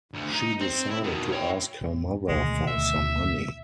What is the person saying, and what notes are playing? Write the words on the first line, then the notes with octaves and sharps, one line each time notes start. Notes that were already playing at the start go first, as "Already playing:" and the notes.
She decided to ask her mother for some money.
D2
D#4
C4
E4
B2 D#3
C#5 G5
A2
D2 B2 D#3 G#3
E5